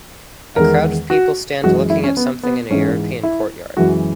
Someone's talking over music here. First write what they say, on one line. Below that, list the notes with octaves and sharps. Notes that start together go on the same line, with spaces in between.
A crowd of people stand looking at something in a European courtyard.
E2 D#3 G#3 A#4
F#4
F#2 E3 G#3 F#4
E4
C#4
B3
B3
G#2 E3 G#3 C#4
E4
F#2 E3 G#3 F#4